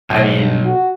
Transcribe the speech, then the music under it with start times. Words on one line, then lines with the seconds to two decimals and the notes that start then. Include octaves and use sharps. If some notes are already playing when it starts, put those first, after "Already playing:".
I mean,
0.10 B1
0.65 F#4